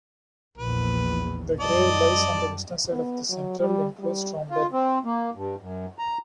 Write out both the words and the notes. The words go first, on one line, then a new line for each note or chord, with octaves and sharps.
The grave lies on the western side of the central enclosed roundel.
A#1 E2 B4
F#2 G3 D5 D#5 A5
B3
F#3
G3
G3
F4
C4
A#3
G2
F#2
A#5